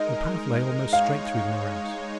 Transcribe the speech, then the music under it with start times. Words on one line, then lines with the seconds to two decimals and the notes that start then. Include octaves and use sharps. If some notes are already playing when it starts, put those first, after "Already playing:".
The path lay almost straight through the morass.
Already playing: G#3 D#4 A#4 D#5
0.93 G#3 D#4 C#5 F5